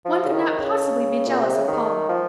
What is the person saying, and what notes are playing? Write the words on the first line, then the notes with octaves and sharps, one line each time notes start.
One could not possibly be jealous of Paula.
F3
C#3
D#3
C#3
A#2
C3
C#3
D#3
F3